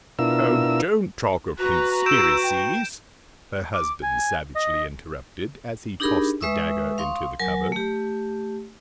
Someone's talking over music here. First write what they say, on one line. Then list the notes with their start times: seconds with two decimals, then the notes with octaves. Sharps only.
"Oh, don't talk of Conspiracies!" her husband savagely interrupted, as he tossed the dagger into the cupboard.
0.19 B2 D4 E4 F4 A#4 E6
1.58 F#4 B4 A#5 F#6
2.06 E6 G6 D7 E7
2.43 G5
3.74 D6
4.03 G#5
4.56 D#5
6.00 D4 D#4 G4 G#4 A#4 B5
6.41 G#3 B4 E5 C#6 D#6 E6
6.98 F5 C6 C#6 D#6
7.39 F#3 A#4 G#5
7.72 A3 G4